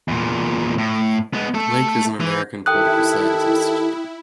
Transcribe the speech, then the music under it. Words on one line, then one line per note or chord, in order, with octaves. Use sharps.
Lake is an American political scientist.
E2 A#2
A2
G#3 B3
A3 A4
E3
D#3 E4 G4 A4 G5 D#6 F#6